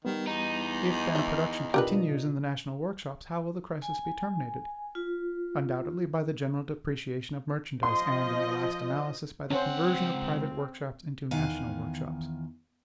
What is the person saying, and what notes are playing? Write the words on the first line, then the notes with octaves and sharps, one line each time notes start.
If, then, production continues in the national workshops, how will the crisis be terminated? Undoubtedly, by the general depreciation of merchandise, and, in the last analysis, by the conversion of private workshops into national workshops.
D#3 G3 B3
E2 D#4
D#5 E5
B2 D4 F4 G4 A#4 B4
G#5
F4
F3 D#5 C6
C#2 C4 C#4 C5 F#5
E2 D#3 F5 F#5 G#5